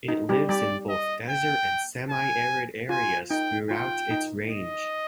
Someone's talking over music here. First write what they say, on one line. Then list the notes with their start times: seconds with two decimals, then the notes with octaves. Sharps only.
It lives in both desert and semiarid areas throughout its range.
0.08 D#4
0.29 G3 G4
0.49 G3 G4 D5
0.89 D#5
1.30 G5
2.09 G#5
2.89 F4 G#5
3.30 D#4 G5
3.70 F4 G5
4.11 D#4
4.50 D#5